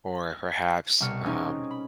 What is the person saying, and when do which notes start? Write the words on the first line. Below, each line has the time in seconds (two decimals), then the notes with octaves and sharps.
or perhaps, um
1.00 C2 B2 G3 F6 C#7
1.25 C4 C#4 D#4 G#4
1.71 B5